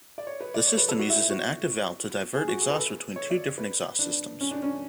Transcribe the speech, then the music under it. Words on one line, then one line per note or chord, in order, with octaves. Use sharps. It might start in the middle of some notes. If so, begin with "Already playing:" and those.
The system uses an active valve to divert exhaust between two different exhaust systems.
D5
C#5
B4
D5
C#5
B4
A4
F#4
E4
F#4
G#4
F#4
G#4
B4
A4
C#5
D5
B4
D4
C#4
D4
C#4